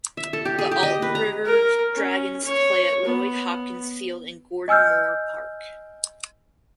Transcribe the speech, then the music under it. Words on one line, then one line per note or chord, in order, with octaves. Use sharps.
The Alton River Dragons play at Lloyd Hopkins Field in Gordon Moore Park.
E5
A4
G4
G#4
G4
D#5
B4
A#5
A#4
C#4
C#5
B3
D#5 G#5 E6 F6 G6